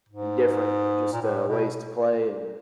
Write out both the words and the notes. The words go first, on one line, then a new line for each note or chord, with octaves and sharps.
in different just, uh, ways to play and
G#2
A#2
A2
B2